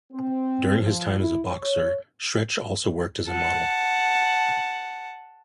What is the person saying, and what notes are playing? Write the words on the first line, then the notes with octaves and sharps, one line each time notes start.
During his time as a boxer, Stretch also worked as a model.
C4
F3
E4
C#5
F#5 A5